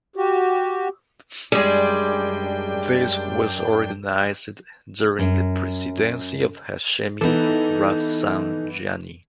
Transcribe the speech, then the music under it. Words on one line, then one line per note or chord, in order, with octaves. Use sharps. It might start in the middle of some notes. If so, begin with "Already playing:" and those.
This was organized during the presidency of Hashemi Rafsanjani.
F#4 G4
F#2 G3 G#3 D4 G#4 D5 G5
F#2
E3 B3 D#4 A4